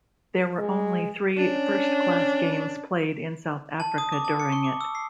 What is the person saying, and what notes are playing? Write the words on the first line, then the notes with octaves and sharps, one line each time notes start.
There were only three first-class games played in South Africa during it.
G#3
C#4 D4
A5
D#6
D6
A5
C#7
C#6
D6
E6
C7